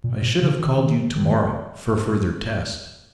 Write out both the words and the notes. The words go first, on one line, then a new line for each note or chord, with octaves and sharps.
I should have called you to-morrow, for further test.
A#2
A#2
C#3
D#3
D#3
D#3